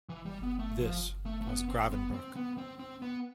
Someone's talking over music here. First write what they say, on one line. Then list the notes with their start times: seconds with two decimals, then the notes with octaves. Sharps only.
This was Gravenbruch.
0.09 E3
0.26 G3
0.43 B3
0.59 A3
0.81 F3
1.26 A3
1.41 A3
1.47 B3
1.69 C4
1.92 B3
2.14 C4
2.36 B3
2.58 C4
2.79 C4
3.02 B3